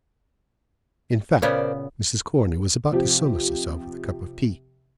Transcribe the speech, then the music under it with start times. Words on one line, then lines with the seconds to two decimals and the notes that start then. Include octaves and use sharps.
In fact, Mrs. Corney was about to solace herself with a cup of tea.
1.42 A#2 C#3 B3 A#4 C5 D5
2.92 C3 F3 G4